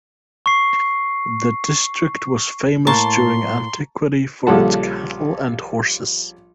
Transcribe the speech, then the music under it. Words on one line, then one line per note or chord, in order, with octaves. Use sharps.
The district was famous during antiquity for its cattle and horses.
C#6 C7
A2 A#3 A5 A#5 C6 C#6 A6
A#1 C#3 G3 A4 F#5 A5